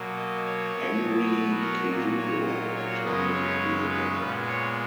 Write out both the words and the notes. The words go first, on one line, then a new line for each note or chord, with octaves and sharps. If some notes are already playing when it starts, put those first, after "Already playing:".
Henry Cejudo attended the event.
Already playing: B2 F#3 A#3
D#5
C#5
B2 F#3 B3
B4
A#4
A#2 F#3 A#3
C#5
D#5
C#5
F#2 C#3 G#3 B3 D#5
C#5
B4
A#2 G#3 B3
C#5